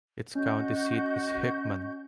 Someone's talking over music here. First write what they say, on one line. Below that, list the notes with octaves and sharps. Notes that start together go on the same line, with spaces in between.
Its county seat is Hickman.
C#4 F#4 D#5 G6